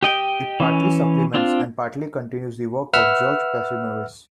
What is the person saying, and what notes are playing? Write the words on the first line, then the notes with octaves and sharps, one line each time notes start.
It partly supplements and partly continues the work of George Pachymeres.
G4 D#5 G5
E3 C#4
C4 D4 F4
B4 E5 F#5 E6 F6